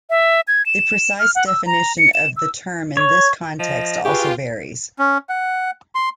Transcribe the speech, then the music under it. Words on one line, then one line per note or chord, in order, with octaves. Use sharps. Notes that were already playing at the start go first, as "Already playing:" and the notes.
The precise definition of the term in this context also varies.
E5
G#6
E7
F6
F#5
E6
A#5
C#7
E7
E6
C#5
F3 D#5
F4 G4 G#4 B4 C#6
C#4
F#5
C6